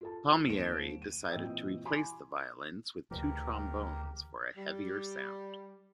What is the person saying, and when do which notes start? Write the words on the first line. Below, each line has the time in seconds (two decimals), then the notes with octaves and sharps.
Palmieri decided to replace the violins with two trombones for a heavier sound.
0.01 F4 A4 A5
0.48 D#2 C5 D7 E7
1.02 D#7
1.31 A#2 E3 C4 D#5 G5 E6
1.85 E4 G#5 B5 C6 D6
3.11 D2 C#3 E3 G4 A#4
4.56 G3